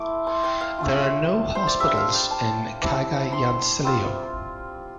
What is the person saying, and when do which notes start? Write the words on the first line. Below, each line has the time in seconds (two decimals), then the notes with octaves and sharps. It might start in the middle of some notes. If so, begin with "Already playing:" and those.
There are no hospitals in Cagayancillo.
Already playing: A3 E4 C6 D6
0.27 C6
0.44 G5
0.61 F5
0.78 A3 D4 F4
1.55 C5
1.67 D5
1.80 G3 D4 F4 E5
1.97 F5
2.14 G5
2.31 A5
2.82 G3 C4 E4 D6
3.33 C6
3.84 G3 C4 F4